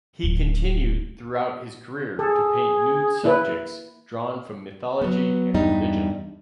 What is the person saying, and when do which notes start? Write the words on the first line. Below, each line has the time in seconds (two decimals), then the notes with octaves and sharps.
He continued throughout his career to paint nude subjects drawn from mythology and religion.
0.23 D1
2.19 G#4 A4
3.23 A#3 E4 B4
5.01 F#3 B3
5.54 E2 G2 G3 D#4